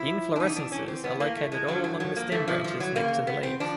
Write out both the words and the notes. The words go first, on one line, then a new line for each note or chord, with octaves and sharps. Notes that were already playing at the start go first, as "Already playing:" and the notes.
The inflorescences are located all along the stem branches next to the leaves.
Already playing: G#2 F3 E4
D4
E2 C3 E3 D#4
D4
C#4
C4
A2 E3 B3
A#3
A3
G#3
G2 D3 F3 F#3
F#3
F#3
A#3
G2 E3 A3
F3
F3
F#3
E2 C#3 A#3
B3
C4
F3 D4